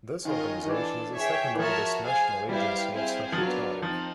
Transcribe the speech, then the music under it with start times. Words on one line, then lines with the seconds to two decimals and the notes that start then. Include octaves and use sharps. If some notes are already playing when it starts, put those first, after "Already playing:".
This organization is the second oldest national agency of such a type.
0.24 D#3 C#4 F4 A#4 D#5
0.63 D#3
0.69 E3 D4 F4 A4
1.15 G#4 C#5 E5 G5
1.55 E3
1.59 F3 F#4 A#4 C#5 E5 A5
2.04 G#4 C5 F5 G#5
2.48 G3 B3 E4 G4 C5 F5
2.93 C4 E4 G#4 C5 F5
3.32 F3
3.38 F#3 B3 D4 F4 A#4
3.82 F3 C4 D#4